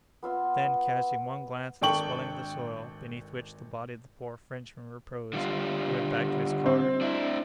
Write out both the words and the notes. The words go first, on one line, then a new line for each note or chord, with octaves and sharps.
Then, casting one glance at the swelling of the soil, beneath which the body of the poor Frenchman reposed, he went back to his car.
B3 F4 E5 C6
G#1 D4 A4 G5 C#6 F#7
D3 G3 F4
C4
D4 E4